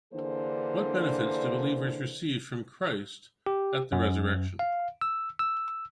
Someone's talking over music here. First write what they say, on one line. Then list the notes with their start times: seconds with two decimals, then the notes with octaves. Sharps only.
What benefits do believers receive from Christ at the resurrection?
0.13 D3 E3 A#3 D4 G#4 C5
3.46 G4
3.92 F#2
4.59 F5
5.01 E6
5.39 E6